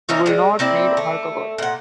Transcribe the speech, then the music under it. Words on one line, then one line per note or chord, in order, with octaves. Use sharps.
You will not need alcohol.
E3 A#3 C#4 D#4
G3 G#3
A#3 C4 E4 D5
A3
A#2 F#5